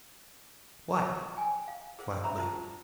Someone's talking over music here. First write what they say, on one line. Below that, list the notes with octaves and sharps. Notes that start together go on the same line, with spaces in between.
"What?" flatly.
G5 G#5
F5
G#4 A#4 C5 F5 F#5
C#4 E5 A#5 B5 C#6
F4 C5 A5